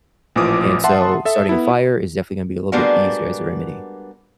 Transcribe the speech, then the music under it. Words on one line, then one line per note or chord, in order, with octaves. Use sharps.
And so, starting a fire is definitely gonna be a little bit easier as a remedy.
A1 A#2 E3 F3 D6 D#6
E5 F#5 A5 C6
A4 E5
B3 E4
G3 G#3 A#3 B3 D4 F#4